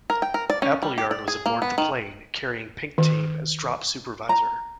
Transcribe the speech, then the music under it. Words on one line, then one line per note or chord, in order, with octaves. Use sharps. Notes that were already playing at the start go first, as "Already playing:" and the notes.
Appleyard was aboard the plane carrying 'Pink' team as drop supervisor.
A#4
G5
A#4
D5
C#4
G3
G4
D5
G#4
A#3
B3
D#3
D#3
A#5